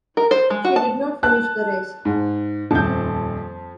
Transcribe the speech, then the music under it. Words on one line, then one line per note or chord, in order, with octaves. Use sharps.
She did not finish the race.
A#4
C5
G#3
F#4
A5
A5 F#6
G#2
D#1 F2 A5 G6